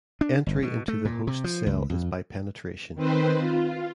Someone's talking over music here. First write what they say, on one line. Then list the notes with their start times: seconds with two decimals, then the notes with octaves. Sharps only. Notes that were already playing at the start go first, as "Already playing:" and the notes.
Entry into the host cell is by penetration.
0.21 D4
0.46 G1
0.62 B2
0.88 A3
1.05 A#2
1.27 C3
1.44 F3
1.66 C#2
1.90 F2
2.95 D#3 C4 B4 C5
3.39 F4